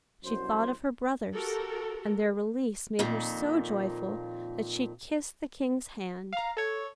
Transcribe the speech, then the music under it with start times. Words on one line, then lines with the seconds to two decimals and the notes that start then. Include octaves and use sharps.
She thought of her brothers, and their release made her so joyful that she kissed the King's hand.
0.24 C2 F#2 B2 C5
1.34 F#4 G4 A4 A#4
2.99 F2 A#2 D#3
6.33 F5 A#5
6.57 A4 C#5